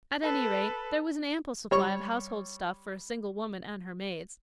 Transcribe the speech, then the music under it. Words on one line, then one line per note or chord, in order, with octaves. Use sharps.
At any rate, there was an ample supply of household stuff for a single woman and her maids.
A4 B4
G3 C#5 C#6